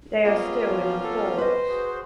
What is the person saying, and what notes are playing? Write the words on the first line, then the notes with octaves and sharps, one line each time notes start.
They are still in force.
A#3 B3 C#4 F4 G4 G#4
F3
A4
B4 C5 D#5
F#4 G#4